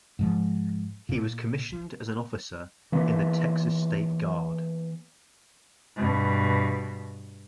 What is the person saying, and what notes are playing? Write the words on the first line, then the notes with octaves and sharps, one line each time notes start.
He was commissioned as an officer in the Texas State Guard.
G#2 F3
A#2
E3 A#3 B3
G2 B2